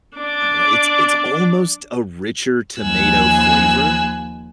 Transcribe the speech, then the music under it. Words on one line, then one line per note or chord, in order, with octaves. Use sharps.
I don't know, it's it's almost a richer tomato flavor.
D4 D6
D#2 F3 G#5 E6 F#6